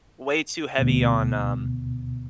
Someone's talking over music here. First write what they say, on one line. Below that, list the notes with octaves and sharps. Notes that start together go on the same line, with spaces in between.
way too heavy on, um,
D2 B2